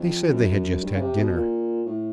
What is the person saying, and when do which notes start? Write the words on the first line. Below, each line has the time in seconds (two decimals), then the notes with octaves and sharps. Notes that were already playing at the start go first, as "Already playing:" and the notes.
They said they had just had dinner.
Already playing: F2
0.30 F#2
0.82 G2
0.94 C#3
1.00 C3
1.17 B2
1.34 A#2
1.86 A2